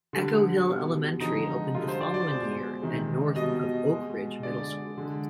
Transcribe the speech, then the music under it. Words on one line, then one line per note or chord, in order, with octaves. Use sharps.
Echo Hill Elementary opened the following year and north of Oak Ridge Middle School.
D3 G3
B2 G3
D3 F3 G#3 D#4
D3 G3 F4
C5
D5
D5
B2 G#3 C5
C3 D#3 G#3
B2 G3 D#5
B2 G#3
D3 G#3 D5
D3 G#3